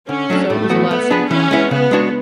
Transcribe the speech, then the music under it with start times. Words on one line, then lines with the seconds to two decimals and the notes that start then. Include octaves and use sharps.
So it was a lasting blot.
0.09 D3 C#4
0.30 F#3 A3 D4
0.49 A2 A3
0.69 E3 B3 F#4
0.90 A3 B3
1.10 D4 G#4 B4
1.31 E3 C#4
1.51 G#3 B3 E4
1.71 C#3 B3
1.91 G#3 D4 F#4 C#5